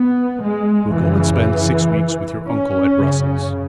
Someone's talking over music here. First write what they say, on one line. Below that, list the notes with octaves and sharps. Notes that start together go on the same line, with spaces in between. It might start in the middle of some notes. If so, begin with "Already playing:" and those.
We'll go and spend six weeks with your uncle at Brussels.
Already playing: B3
G#3
F#2 C#3 E3
C#4
F#2 C#3